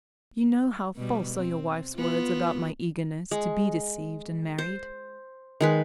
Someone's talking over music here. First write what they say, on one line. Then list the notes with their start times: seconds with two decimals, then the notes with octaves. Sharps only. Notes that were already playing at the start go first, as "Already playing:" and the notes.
You know how false are your wife's words about my eagerness to be deceived and married.
0.96 B2 G3
1.35 C4
1.97 B3 F4
3.31 G#3
4.58 C5
5.61 D#3 G#3 B4